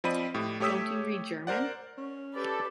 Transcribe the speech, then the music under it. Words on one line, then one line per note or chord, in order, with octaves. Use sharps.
Don't you read German?
F3 C4 D5 D#5 B5 D#7
A2 G4
A3 G4 C#5 D#6 E6 B6
A#4 C5 D5 F#5
C#4
G4 A4 B4 D5